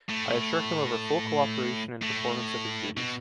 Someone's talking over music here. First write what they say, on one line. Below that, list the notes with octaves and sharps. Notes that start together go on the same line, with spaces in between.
I assure him of our full cooperation in performance of his duties.
A2
A2
B2